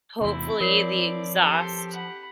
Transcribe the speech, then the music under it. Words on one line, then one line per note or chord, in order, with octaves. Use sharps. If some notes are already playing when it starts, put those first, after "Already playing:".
hopefully, the exhaust
E2 C3 C4 E4
F3 A#4 C#5 D5 C7
G4 A4 C6
F#5 B5